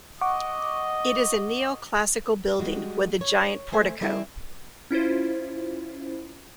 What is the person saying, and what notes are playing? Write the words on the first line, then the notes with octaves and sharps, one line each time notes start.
It is a neo-classical building with a giant portico.
D#5 F#5 C#6 D6
G3 G#3 F#4
C#5
A3 C5 G#5
G3 C4 E4 G#4
C#4 E4 F4 C5